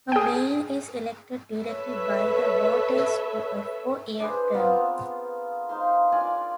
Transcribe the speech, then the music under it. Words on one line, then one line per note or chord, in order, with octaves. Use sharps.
A mayor is elected directly by the voters to a four-year term.
G#4 G5
A4 B4 C#5 E5
D4 G#4 B4 C5
B3 C4 F4 A#4
D#4 C5 F5 C6
D4 F4 D5 G#5